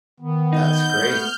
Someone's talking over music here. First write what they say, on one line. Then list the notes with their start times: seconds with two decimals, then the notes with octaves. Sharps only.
That's great.
0.20 D#3 B3
0.53 D#4 G6
1.01 A3 F6